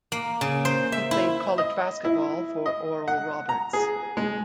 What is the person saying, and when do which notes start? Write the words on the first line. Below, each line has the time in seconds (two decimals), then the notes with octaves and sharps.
He played college basketball for Oral Roberts.
0.12 A#3
0.41 C#3
0.65 C5
0.92 E5
1.11 E4
1.58 D#5
2.05 E4
2.66 D#5
3.08 F#5
3.49 A#5
3.73 G#4
4.17 G#3